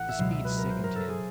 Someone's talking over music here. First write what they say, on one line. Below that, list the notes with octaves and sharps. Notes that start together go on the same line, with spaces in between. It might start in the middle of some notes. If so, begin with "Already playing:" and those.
The speed sickened him.
Already playing: A1 F#5
E5
C#2 B2 F#3 F5
E5
B4
A#4
C5
A#4
A4
G#4